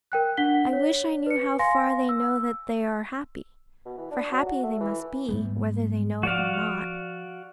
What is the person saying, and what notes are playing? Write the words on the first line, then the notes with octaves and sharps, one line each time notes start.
I wish I knew how far they know that they are happy--for happy they must be, whether they know it or not.
A#4 G5 F#6
D4 F#5 B6 G7
C#5
B4 C#7
F5 G#5 C6 A#6
E6
B2
E3
D4
F#3
F#4
A3
E3
G#2 G3 B3
F3 F#4 D5 F5